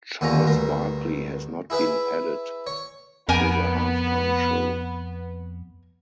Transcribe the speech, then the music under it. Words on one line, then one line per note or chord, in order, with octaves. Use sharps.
Charles Barkley has not been added to the halftime show.
D#2 D3 C#4 F4 A#5
D2 G2 A#4
E4 G#4 B4 E5
C#5
F2 B3 A#4 G5 G#5